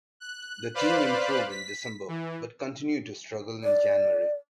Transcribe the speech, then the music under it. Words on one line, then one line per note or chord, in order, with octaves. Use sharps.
The team improved in December, but continued to struggle in January.
F#6
B4 C5 D5 F5 B5 F#6
B6
E3
D5